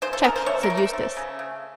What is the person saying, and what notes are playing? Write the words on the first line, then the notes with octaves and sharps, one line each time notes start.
"Check!" said Eustace.
C#3 C5
A4
C#3 A#4
C5
A3 C#5
A#4
A3
C5
A3
C#3
C#3